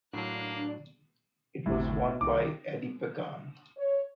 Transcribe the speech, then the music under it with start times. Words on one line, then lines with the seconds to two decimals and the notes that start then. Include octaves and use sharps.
It was won by Eddie Pagan.
0.14 A2 F#3 A#3 D4 F#6 C7
1.66 G1 D2 A2 C3
2.21 C2 D#3 D6
3.77 C#5